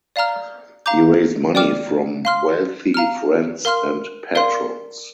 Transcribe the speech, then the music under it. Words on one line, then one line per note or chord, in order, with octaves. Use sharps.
He raised money from wealthy friends and patrons.
D5 F5 A#5 F6
F5 A#5 D6 G6
D5 G5 D6 F6
F5 C6 F6
F5 A#5 F6
A#4 F5 C6 F6
A#4 D5 F5 C6